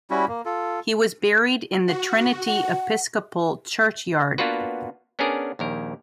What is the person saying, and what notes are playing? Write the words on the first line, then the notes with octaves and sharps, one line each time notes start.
He was buried in the Trinity Episcopal Churchyard.
G3 C#4 E4 F#4
A#3
F4 A4
F#4
F#5
A#3 B3 D4 F4 F#4 B4
B3 C#4 D4 G#4 A#4 D5
A#1 D#2 A#4